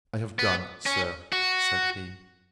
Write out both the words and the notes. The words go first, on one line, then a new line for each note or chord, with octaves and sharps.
I have done, Sir, said he.
B3
C#4
F#4